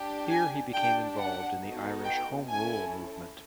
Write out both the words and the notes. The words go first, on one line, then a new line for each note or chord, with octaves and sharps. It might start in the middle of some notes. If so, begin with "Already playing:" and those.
Here he became involved in the Irish Home Rule Movement.
Already playing: D4 G4
G#5
D4 G4 G5
F#5
B3 D#4 F#4 A4
G5
C#4 E4 A4 G#5